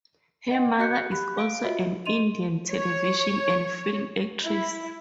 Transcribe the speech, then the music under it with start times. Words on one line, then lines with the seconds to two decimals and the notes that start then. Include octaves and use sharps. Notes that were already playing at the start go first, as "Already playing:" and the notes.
Her mother is also an Indian television and film actress.
0.51 D#5 F#5 G5 C6
0.79 F#4 D#5 F#6 G6 C#7
1.11 G4 B5 F#6
1.37 F5 D7
1.63 F4 F#4 D#5 E5
2.06 D#5 C6 D#7 F7
2.70 C#5
4.45 E4